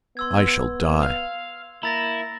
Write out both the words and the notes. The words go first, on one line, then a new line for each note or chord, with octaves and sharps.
I shall die!
B3 C6 E6 G#6
F5
A#3 E4 A#5 A6 A#6